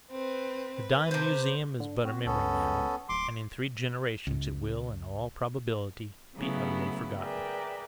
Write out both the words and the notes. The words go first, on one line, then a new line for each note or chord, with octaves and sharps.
The dime museum is but a memory now, and in three generations it will, in all probability, be utterly forgotten.
C4 B4
B4
C3 C5
D3
C4 F#4
C#2 B3 C#4 A4
D1 C6 D6
C#2
C#3 F#3 A3 B3 E4 F#4
G#4 A#4 B4 D5 E5 G5